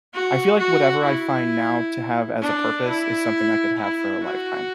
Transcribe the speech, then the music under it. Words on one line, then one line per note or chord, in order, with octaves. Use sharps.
I feel like whatever I find now to have as a purpose is something I could have for a lifetime,
F#4
F#4
E4
D4
E4
E4
F#4